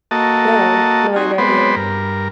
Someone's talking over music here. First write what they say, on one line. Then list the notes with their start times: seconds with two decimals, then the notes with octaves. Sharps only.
Yeah, no, I got you.
0.11 A#3 F#4 A4 D#5 A5
1.16 C4 D#4 F#4 G#5
1.38 G#3 B3 C4 B4 C5 D5
1.76 G2 A#4